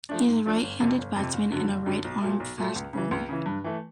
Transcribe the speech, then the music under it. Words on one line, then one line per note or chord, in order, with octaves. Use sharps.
He is a right-handed batsman and a right-arm-fast bowler.
F3 A3 D4
G#2
F3 A3 D4
G1
F2 C3
G1
F2 C3
F#1
F#2 D3 F#3
F#1
F#2 D3 F#3
B1
A#2 F#3 A3
B1
A#2 F#3 A3
C#2
C#3 E3
C#2
C#3 E3
G2
E3 A3